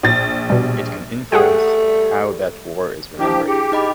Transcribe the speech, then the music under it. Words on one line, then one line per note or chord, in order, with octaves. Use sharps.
It can influence how that war is remembered.
A#1 A6
B2 G3
G3 A3 G#4 F#5 G5
F3 D4 E4 G4
G4 G#4
D#4 D#5 B5